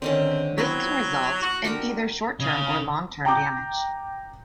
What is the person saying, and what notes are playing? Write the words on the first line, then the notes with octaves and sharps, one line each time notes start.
This can result in either short-term or long-term damage.
D3 D#3 C4 C#4
F#3 B3 C4 E4
F#4
D3 F#4 A#4 G5
C#3
G5 A#5 D6 G6